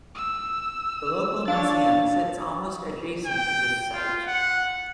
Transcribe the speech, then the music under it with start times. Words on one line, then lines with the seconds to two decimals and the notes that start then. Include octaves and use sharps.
The local museum sits almost adjacent to this site.
0.15 E6
1.48 D4 C#5 F5 A6
3.26 G5
3.94 F4
4.27 F#5